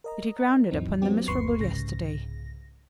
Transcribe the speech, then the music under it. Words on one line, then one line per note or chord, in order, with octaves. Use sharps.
Did he ground it upon the miserable yesterday?
A#4 D#5 A#5
D#2 G#2 E3 F#3 C4 D#4
F#3 B3 C4 D4 G4
G1 D#2 B4 C6 C#6 C7
C2 G#2 C#3 A#6